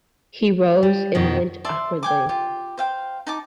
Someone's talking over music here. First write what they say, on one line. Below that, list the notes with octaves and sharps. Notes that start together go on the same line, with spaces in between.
He rose and went awkwardly.
G3
F2 B2 D#3
D5 E5 A5 C6
G5 G#5 D6
F4 G4
C5 F5 G5
D#4 A5 D6